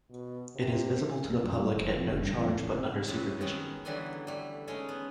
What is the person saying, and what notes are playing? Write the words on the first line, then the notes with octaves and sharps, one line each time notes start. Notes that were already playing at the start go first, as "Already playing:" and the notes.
It is visible to the public at no charge but under supervision.
B2
C3
A#3
F#2
G3
F1
F2
F1
G2
F2
A3
A1
C3
F#2 C3 B3
D#3 F#3 G#3 B3 C#4
D3 E3 F#3 G3 B3 G#5
G3 A3
G#3 A3 C#4 D#4 G#4
B3